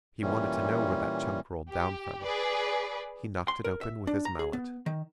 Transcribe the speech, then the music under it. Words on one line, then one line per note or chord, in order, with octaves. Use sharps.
He wanted to know where that chunk rolled down from. He knocked it open with his mallet.
A#2 E3 G3 C#4
G4
G#4 B4 D5
C6
A#4
E5
D4
A#5
G#4
B3
D#3